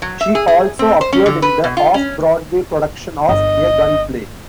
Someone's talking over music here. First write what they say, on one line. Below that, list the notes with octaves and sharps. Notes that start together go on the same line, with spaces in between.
She also appeared in the off-Broadway production of "A Gun Play".
F#3
E5
G#4
G#4
C4
C5
C#4
D3
B4
B2
F4
C#4
G1 D#5